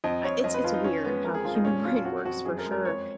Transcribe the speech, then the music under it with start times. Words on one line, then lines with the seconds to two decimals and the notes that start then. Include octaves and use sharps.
I it's it's weird how the human brain works for sure,
0.04 F2 D#5
0.24 F2 C#5
0.44 F2 D#5
0.54 B4
0.64 F2 F4
0.74 D#4
0.84 F2 C#4
1.04 G#3 B3
1.24 F2 A#4
1.34 G#4
1.45 F2 F4
1.55 D#4
1.65 A#2 C#4
1.85 F#3 F4
2.05 F2 F#4
2.25 F2 F#4
2.45 F#2 G#4
2.59 A#4
2.65 G#3
2.72 A#4
2.85 F2 C#5